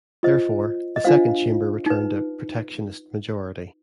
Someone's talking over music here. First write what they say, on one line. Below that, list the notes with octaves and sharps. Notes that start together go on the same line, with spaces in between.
Therefore, the Second Chamber returned a protectionist majority.
F4 C5 D#5
D#5
D4 F4 C5 F5
D#4 B4